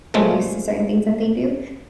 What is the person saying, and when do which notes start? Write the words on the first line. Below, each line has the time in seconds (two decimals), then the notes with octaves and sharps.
used to certain things that they do,
0.14 A#2 C#3 F3 G#3 A3